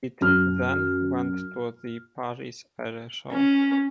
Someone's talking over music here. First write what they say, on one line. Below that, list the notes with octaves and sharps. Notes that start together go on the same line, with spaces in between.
It then went to the Paris Air Show.
F#2 F6
C#4